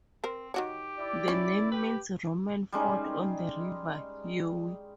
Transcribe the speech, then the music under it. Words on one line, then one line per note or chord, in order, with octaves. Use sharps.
The name means 'Roman fort on the River Yeo'.
C4 A#4 C5
D#3 F#4 G4 C#5
E4 D5
C#4 D#4 C#5
G4 B4
G3 G#3 C#4 D#4